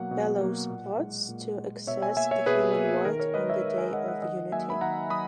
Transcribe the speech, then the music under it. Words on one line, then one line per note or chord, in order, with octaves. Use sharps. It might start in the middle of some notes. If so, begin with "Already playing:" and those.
Belos plots to access the human world on the Day of Unity.
Already playing: B2 F#3 A#3 F#5
B2
F#3 A#3
A#2
G#3
A#2
G#3
B2 C#5 E5
E5 G#5
A#3 E5 G#5
C#5 E5
B2 G#4 B4
A#3
D#3 A#4
A#4 C#5
G#3 B4 D#5
C#5 E5
D#3
E5 G#5
G#3 D#5 F#5
D#5 F#5
D#3 D#5 F#5
F#3 A#3 E5 G#5
B5
D#3 F#5 A#5
F#3 B5 D#6